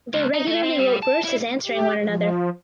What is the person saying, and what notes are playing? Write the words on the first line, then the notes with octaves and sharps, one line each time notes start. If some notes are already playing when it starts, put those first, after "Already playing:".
They regularly wrote verses answering one another.
C#2
D#4
A3
C4
G3
A5
E4
G4
F3